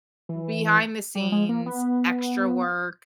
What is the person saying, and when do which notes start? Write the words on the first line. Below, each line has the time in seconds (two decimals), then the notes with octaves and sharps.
Behind the scenes, extra work
0.29 E3
1.15 G3
1.32 G#3
1.49 A#3
1.66 B3